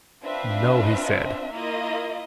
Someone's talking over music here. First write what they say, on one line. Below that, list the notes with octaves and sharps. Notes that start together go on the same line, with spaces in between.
"No!" he said.
C4 D4 F4 B4 E5 F5
A#3 E4 F4 D#5